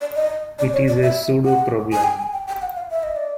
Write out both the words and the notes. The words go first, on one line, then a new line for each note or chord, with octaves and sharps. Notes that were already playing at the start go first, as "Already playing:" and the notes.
It is a pseudo-problem.
D5
D#5
D5
C#5
D5
E5
F#5
G#5
G5
G#5
G5
G5
F#5
F5
E5
D#5
D5